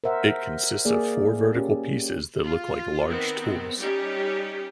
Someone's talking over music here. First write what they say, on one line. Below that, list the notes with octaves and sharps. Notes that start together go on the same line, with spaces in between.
It consists of four vertical pieces that look like large tools.
A#4 C5 E5 F#5
A#3 G#4 D5
C#4 G4
F4
D#3 B3 C4
G3 C#4 D#4 G4